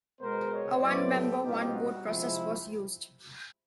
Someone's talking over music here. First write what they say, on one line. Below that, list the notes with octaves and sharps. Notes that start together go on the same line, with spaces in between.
A One member, one vote process was used.
B2 G#3 B3 A#4 C5
C#5 D#5
A2 F#3 B3 E4 C5 D5
G4 A4
B2 G3 C4 D#4 F4 G4
F#4
C3 F3 G#3 C4 E4